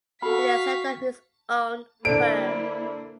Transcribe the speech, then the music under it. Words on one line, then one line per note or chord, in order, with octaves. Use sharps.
He then set up his own firm.
F#4 A4 F5 B5 C#6 B6
D3 A#3 E4 A4 C5 D5 D7